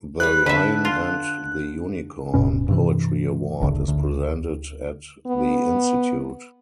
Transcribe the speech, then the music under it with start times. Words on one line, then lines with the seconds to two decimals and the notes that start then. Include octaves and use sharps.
The "Lion and the Unicorn" Poetry Award is presented at the institute.
0.20 G3 G#4 B4 F#6
0.46 D3 A4 B4 E5 A5
0.85 F4
2.34 D1 G2 B2 C#4
2.68 G2 C3 E3
3.60 D1 G#1 D2 C#3
3.88 D2
5.26 B3